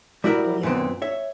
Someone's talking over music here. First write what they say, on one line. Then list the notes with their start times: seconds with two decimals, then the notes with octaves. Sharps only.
Oh, yeah.
0.24 G3 E4 F#4 A#4 E5
0.63 F#2 A#2 B3 C4
1.02 C#5 E5